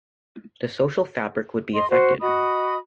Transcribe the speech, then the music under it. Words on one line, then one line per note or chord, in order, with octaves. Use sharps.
The social fabric would be affected.
D#5 C6
F#4 C5
F#4 D#5 B5 D#6